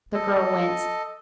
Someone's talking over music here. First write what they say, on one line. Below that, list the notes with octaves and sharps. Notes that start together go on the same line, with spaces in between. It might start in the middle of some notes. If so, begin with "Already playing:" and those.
The girl winced.
A4 D#5